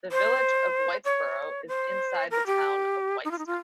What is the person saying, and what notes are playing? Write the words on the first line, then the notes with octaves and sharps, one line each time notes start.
The Village of Whitesboro is inside the Town of Whitestown.
C5
C#5
C5
A#4
G4
D#4
F4
D#4
F4